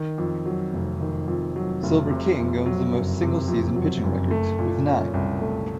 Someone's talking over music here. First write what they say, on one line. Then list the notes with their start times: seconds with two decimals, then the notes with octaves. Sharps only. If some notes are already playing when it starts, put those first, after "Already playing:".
Silver King owns the most single-season pitching records with nine.
Already playing: D#3
0.18 F2
0.46 F#3
0.74 F1
1.01 D#3
1.28 F2
1.56 F#3
1.83 F1
2.11 C3
2.39 F2
2.66 F#3
2.93 F#1
3.21 C3
3.48 F2
3.76 F#3
4.04 F#1
4.31 A3
4.59 A#2
4.86 C#4
5.14 C2
5.41 A3